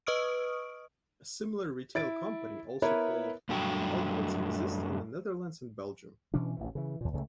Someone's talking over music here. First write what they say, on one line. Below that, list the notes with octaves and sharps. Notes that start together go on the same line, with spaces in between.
A similar retail company also called Halfords exists in the Netherlands and Belgium.
B4 D#5 C#6 D#6 F6 D7
E4 A6 D7
B3 E4 A#4 B4 C#5 E5
F#2 G3 A3 D4 F#4 G5
B2 E3 C#4 D4
A1 D2 E3
C#3 E3
D#2 A#2
C#2 C#3 F#3 A3